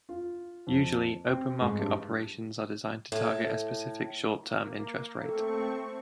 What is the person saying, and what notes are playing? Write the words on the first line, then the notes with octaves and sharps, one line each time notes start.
Usually, open market operations are designed to target a specific short-term interest rate.
F4
F2
C4
G#2
G2
A2
A#3
A3 C4 A4 C#6